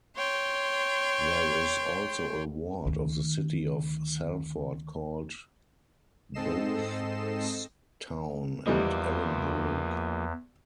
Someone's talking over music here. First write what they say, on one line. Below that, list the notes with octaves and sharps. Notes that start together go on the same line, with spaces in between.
There is also a ward of the City of Salford called Boothstown and Ellenbrook.
C#5 G5 C6
D2 D#3
G#2 C4 A4 D#5 C7 E7
E2 E3 F3 G3 A#3 D#5